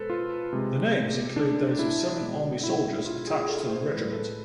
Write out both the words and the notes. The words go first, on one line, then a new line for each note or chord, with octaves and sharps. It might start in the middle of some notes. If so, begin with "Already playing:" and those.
The names include those of seven Army soldiers attached to the regiment.
Already playing: B2 G#3 A4 B4 C5
F4
C3 G#3
D4
E4
B2 G#3
E4
F4
G#4
A4
C5
A2 E3 G#3 B4
A4